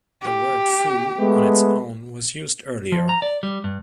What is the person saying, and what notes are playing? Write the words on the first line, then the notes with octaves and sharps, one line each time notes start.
The word "foo" on its own was used earlier.
G4
G#3 A3 B3
F3
A#5
D5
G3
G2